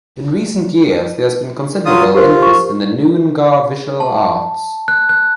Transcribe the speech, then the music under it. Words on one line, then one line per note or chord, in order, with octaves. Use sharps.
In recent years there has been considerable interest in Noongar visual arts.
F#3 F4 D#6
F4 G4 A#4 C5
C#6
A5
F#6
F#6